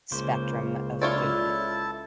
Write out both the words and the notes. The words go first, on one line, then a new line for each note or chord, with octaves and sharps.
spectrum of food.
C#2 C#3 A#3 C5
E4 F4 A4 C#5 D5 A5